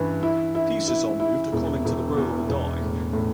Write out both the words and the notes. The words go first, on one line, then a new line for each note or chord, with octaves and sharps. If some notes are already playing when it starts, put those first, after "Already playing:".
Pieces are moved according to the roll of a die.
Already playing: G2 E3
E4
E4
E4
E4
E1
E1
E2
E1
A2
A2